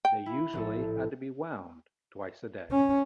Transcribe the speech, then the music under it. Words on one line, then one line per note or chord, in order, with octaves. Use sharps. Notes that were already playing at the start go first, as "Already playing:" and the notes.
They usually had to be wound twice a day.
G5
E4
A#1 A2 A4
C#4